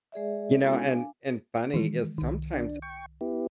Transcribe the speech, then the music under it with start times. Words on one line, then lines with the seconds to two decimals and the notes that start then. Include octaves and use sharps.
you know, and and funny is sometimes
0.12 G#3 G#4 D5 E5
0.61 G#3 B3 C#4 E4 F#4 A4
0.73 D4 F5 G#5
1.74 D#3 E3 G#3
2.18 C2 D#3
2.54 D4
2.82 G5 C#6
3.21 B3 E4 G4